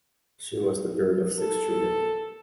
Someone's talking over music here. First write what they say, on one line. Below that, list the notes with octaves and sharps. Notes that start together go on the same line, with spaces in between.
She was the third of six children.
A4